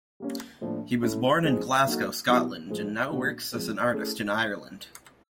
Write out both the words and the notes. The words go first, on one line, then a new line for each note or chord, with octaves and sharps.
He was born in Glasgow, Scotland, and now works as an artist in Ireland.
G3 A#3 C#4
A2 F3 A#3 D4
A3 C#4 E4
F3 G#3 C4 D#4 G#4
F#3 A#3 D#4 F#4 A4
B2 F#3 B3 E4 G4
A2 F3 G#3
A#2 G3 B3 D4 F#4
F3 G#3 C4
A3 C#4 E4 G#4